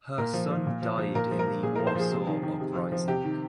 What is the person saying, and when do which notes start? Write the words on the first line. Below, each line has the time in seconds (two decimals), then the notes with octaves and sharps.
Her son died in the Warsaw Uprising.
0.18 A#2 A#4
0.33 F3
0.51 F3
0.66 A#2
0.82 F3
0.98 F3
1.15 A#2 A#4
1.31 F3
1.39 A#4
1.47 F3
1.63 A#2 G#4
1.76 F3 A#4
1.87 C5
1.95 F3 G#4
2.11 C3
2.27 D#3
2.43 D#3
2.60 C3
2.75 F3
2.92 F3
3.08 C3 G4
3.24 D#3